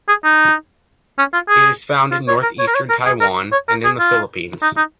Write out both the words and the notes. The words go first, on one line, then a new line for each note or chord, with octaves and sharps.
It is found in north-eastern Taiwan, and in the Philippines.
G#4
D#4
C#4
F4
G#4
F4
C#5
A#4
C#5
A#4
C#5
A#4
G#4
A#4
C#5
A#4
G#4
F4
D#4
D#4